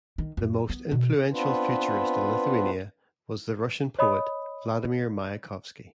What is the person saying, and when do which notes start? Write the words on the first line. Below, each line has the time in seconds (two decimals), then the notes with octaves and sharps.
The most influential futurist in Lithuania was the Russian poet Vladimir Mayakovsky.
0.18 D#3
0.37 F#2
0.70 B3
0.91 B2
1.32 B3 C4 D4 F4 B4
3.99 C#5 D#5 B5 D#6